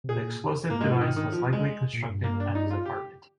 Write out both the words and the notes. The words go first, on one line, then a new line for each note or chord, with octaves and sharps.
The explosive device was likely constructed at his apartment.
C3
A#2 G#4
G#2 A#3
G#3
F3
D#3
D#3
F3
G#3
A#2
G2
A#3
D4
D#4
F4
G4